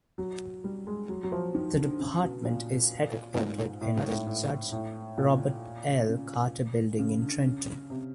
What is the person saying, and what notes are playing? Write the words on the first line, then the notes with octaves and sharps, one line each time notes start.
The department is headquartered in the Judge Robert L. Carter Building in Trenton.
F#3
G3
G#3
F#3
F#3
F3
D#3
D3
C#3
B2
A#2
G#2
A2
G#2
A2
A2
A2
A#2
C#3
C#3
D3
C#3
C3